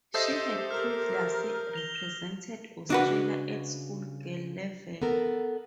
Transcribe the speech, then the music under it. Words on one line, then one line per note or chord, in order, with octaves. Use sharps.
She had previously represented Australia at schoolgirl level.
G4 A4 C5 D#5 E5 D#6 G6 C7
A#4 F6
A#6 F7 G7
C#3 D4 F#4 B4
B3 A4 A#4